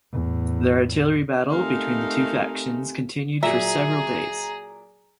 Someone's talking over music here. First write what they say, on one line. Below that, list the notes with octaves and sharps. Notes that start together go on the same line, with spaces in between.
The artillery battle between the two factions continued for several days.
E2 A2
A3 C4 D#4 G4 A#4 F5 G#5
A#2 F#3 G#4 E5 A#5